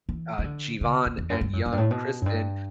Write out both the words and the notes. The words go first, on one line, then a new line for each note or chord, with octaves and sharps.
uh, Jeevan, and young Kristen
E3
E3
D3
C#3
E2
E2
F#2
G2
F#2
F#2
G2
A2
B2
F#2
G2